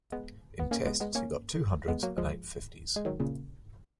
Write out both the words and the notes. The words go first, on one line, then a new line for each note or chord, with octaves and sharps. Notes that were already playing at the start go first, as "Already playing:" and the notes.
In Tests he got two hundreds and eight fifties.
G#3 B3
B3
A#3 C#4
G#3 B3
G#3 B3
A#3 C#4
G#3 B3
F#3 A#3
F3 G#3
G#3
D#3 F#3
A#2 C#3